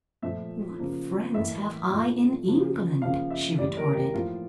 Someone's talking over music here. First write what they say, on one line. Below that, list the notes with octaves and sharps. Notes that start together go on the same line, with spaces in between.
"What friends have I in England?" she retorted.
A#2 F3 A3 E5
C#3 F3 A#3
A2 E3 A#3 E5
A#2 A3
C#3 F3 A#3
C#3 F3 A#3 F5
E5
A2 E3 G3 A#3 D5
A#4
G4
A2 F3 A#3 F4